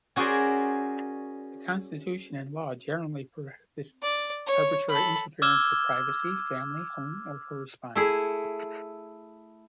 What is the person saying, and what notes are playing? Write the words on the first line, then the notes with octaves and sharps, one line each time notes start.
The constitution and law generally prohibit arbitrary interference with privacy, family, home, or correspondence.
C#4 F#4 G#4 A#4 C5 D5
D5
C#5
A4 B5
D6 E6 F6 G#6 E7 G7
A3 E4 G#4